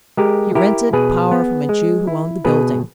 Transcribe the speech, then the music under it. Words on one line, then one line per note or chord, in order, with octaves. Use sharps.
He rented power from a Jew who owned the building.
G#3 G4 A#4
E4 G4 A#4
B2 G#4 B4
B3
G#3
E4
B2 G#4 B4